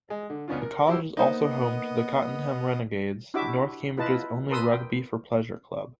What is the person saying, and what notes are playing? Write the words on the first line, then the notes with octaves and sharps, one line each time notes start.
The college is also home to the Cottenham Renegades, north Cambridge's only rugby-for-pleasure club.
G#3
D3
C#2 B3 C#4 D4 F4
A#4
E4 F#4 G4 C5 E6
A#3 B3 D#4 A#4 C5 D#5
D4 E4 F#4 G4 E5 D6
E4 F4 B4 D#5 A5
A#4 B4 A5 C6 D#6 E6
G5